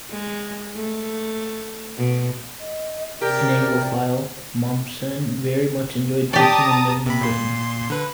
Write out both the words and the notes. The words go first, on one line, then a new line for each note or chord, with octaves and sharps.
An Anglophile, Mommsen very much enjoyed teaching and living in Britain.
G#3
A3
B2
D#5
C3 G4 A#4 D5
G4 D5 A5 A#5 D#6
C3 B5
A#2 C6
D3 B4